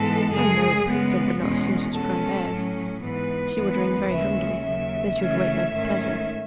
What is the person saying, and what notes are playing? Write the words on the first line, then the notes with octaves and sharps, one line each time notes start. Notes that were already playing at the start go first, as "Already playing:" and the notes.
Oh! no, the presidente would not assume such grand airs; she would ring very humbly, then she would wait my good pleasure.
Already playing: G#2 E3 G#3 B3 A4
F#2 C#3 G#3 G#4
C#3 G#3 B3
E2 B2 G#3 C#4
B2 G#3 C#4 A4
A2 F#3 C#4
G#2 E3 B3 B4
F#2 E3 G#3 B3
D#2 C#3 G#3 C#4 E5
D#2 C#3 F#3 E5
C#3 E3 A3 C#4
G#2 D#3 A3 C#4